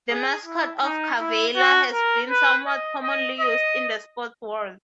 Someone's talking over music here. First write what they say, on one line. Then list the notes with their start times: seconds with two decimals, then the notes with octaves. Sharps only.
The mascot of Cavalier has been somewhat commonly used in the sports world.
0.10 G#4
0.46 E4
0.84 D#4
1.20 E4
1.56 F#4
1.94 A#4
2.30 B4
2.67 D#5
3.03 D#5
3.40 D#5